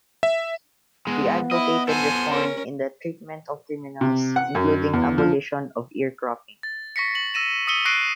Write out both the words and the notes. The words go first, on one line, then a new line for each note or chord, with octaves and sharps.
He advocated reform in the treatment of criminals, including abolition of ear cropping.
E5
E2 G#3 B3
E4 D#5
A4 C5 G#5
C#4 A#4
C3
F#5
F#2
E2
F3
A6
C#6 A#6 B6 C#7
F#7
E6 A#6 D#7 E7
D#6 E6 B6 C#7 D#7 G7
C#6 F#6 A#6 C7 D7 D#7